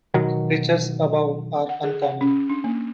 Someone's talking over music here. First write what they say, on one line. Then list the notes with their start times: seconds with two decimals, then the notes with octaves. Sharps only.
Temperatures above are uncommon.
0.14 B2 D#3 F#3
1.69 F#5
1.84 G#4
2.02 F#5
2.21 C#4
2.50 D4
2.64 A#3